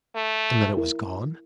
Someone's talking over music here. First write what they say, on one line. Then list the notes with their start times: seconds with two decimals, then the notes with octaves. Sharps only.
'And then it was gone?'
0.15 A3
0.77 E4 A#4